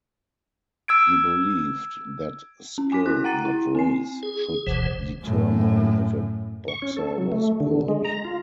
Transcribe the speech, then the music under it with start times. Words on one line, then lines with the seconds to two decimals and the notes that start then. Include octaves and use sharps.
He believed that skill, not race, should determine if a boxer was good.
0.88 E6 G#6 D7
2.78 C#4
2.92 G#5 D6 B6
3.06 E4 F#4 F#6
3.24 F#5 G5 A#5 A6 D#7
3.45 E4
3.75 C4 G#5 C7
4.23 G#4
4.67 F#1 D2 B2 E3 C5
5.22 F#2 A2
6.68 C#6
6.82 C#4
6.97 A4
7.18 F#3
7.32 A3
7.60 D3
7.88 G#3
8.05 A#5
8.25 F4